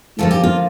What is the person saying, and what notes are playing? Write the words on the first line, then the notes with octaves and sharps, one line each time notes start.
You, too.
D3 F3 A#3 A4
G4
F4